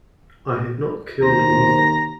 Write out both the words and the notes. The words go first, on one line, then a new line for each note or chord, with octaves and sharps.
I have not killed anything.
D#2 C5 A#5